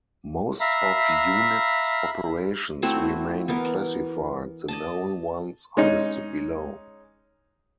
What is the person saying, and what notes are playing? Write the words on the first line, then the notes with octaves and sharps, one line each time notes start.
Most of unit's operations remain classified, the known ones are listed below.
E5 F5 A#5 B5
A3 C4 E4 F#4
E3 B3 A#4
D5 D#5 A5
G#3 C#4 D#4